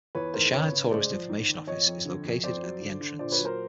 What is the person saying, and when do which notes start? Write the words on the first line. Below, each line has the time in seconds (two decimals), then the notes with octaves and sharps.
The shire Tourist Information Office is located at The Entrance.
0.15 E2 B4 C#5
0.34 D#3 A#4 C5
0.52 C#3 B4 C#5
0.72 C#3
0.91 G#3 C5 D5
1.10 F3
1.29 G#2
1.49 D#3
1.67 F2 C#5 D#5
1.86 F2
2.05 D3
2.24 F2
2.43 F2 C5 D5
2.62 F#3
2.81 D3
3.00 D3
3.19 A#2 C5 D5
3.32 B4 C#5
3.39 F#3
3.45 A#4 C5